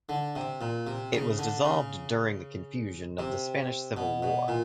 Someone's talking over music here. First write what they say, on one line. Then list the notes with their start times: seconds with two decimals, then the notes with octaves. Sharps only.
It was dissolved during the confusion of the Spanish Civil War.
0.09 D3
0.36 C3
0.61 A#2
0.87 C3
1.13 C#3
1.39 D3
1.64 C#3
3.19 C3
3.97 B2
4.23 B2
4.48 A#2